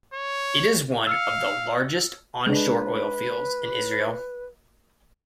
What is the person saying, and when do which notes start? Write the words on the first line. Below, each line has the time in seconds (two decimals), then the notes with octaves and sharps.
It is one of the largest on-shore oil fields in Israel.
0.14 C#5
1.07 F5 E6 F6 C#7
2.47 G#3 D4 B4